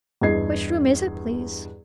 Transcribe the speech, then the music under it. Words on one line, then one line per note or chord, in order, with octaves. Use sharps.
"Which room is it, please?"
E2 G2 D#5 G#6 C7